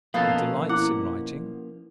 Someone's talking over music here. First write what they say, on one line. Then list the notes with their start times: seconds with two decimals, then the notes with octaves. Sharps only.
He delights in writing.
0.14 B2 F3 A#3 B3 C#4 D#4 A4 F5
0.69 E4 F#5 D6